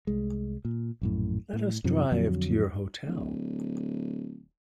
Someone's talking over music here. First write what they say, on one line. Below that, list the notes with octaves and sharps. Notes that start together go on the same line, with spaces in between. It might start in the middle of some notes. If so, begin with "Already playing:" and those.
Let us drive to your hotel.
C2 G#3
A#2
A#1 F#2 A2
A2
F#2 C3 F3
F2 D3 F#3
D1